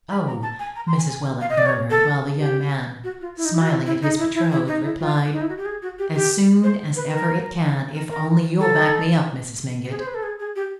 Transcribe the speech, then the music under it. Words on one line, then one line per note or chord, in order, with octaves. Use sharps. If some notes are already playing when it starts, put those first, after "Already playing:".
"Oh--" Mrs. Welland murmured, while the young man, smiling at his betrothed, replied: "As soon as ever it can, if only you'll back me up, Mrs. Mingott."
B5
A#5
A5
G#5
A#5
C6
G#5
G#5
F5
D#5
D5
C#5
A4
G4
F#4
F4
E4
D#4
E4
F#4
E4
E4
D#4
E4
E4
E4
D#4
E4
F4
D#4
E4
F#4
G4
G#4
F#4
G4
G4
C5
B4
A#4
A#4
A#4
A4
G#4
C5
B4
A4
G#4
G#4
G4